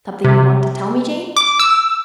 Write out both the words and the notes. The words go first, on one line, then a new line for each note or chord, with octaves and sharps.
Something you wanted to tell me, Jane?'
C3
D6
E6